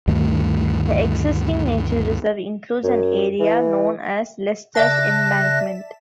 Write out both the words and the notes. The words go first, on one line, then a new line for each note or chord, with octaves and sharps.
The existing nature reserve includes an area known as 'Lester's Embankment'.
D2 G2 D#3 A3
F#2
E3
C#3 D5 E5 A5 F#6 A#6